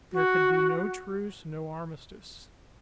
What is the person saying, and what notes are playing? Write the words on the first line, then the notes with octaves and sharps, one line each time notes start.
There could be no truce, no armistice.
F#4